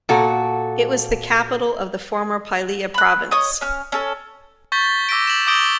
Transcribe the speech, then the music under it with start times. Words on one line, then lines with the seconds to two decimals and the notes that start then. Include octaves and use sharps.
It was the capital of the former Pylia Province.
0.09 A#2 F#4 A4
2.94 B5 F#6
3.31 C#5 D#5 D#6
3.61 C#4 F6
3.92 C#4 A4
4.72 C#6 G6 A6 B6 G7
5.09 D6 E6 A#6 B6 D7
5.27 E7 F#7
5.47 D6 D#6 G6 A#6 D7 G7